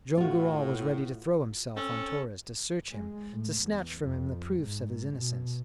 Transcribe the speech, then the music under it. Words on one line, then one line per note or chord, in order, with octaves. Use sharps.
Joam Garral was ready to throw himself on Torres, to search him, to snatch from him the proofs of his innocence.
A2 F4 F#4
C4 C#4 A4
G#3
A2
E2
F2
G#2
B2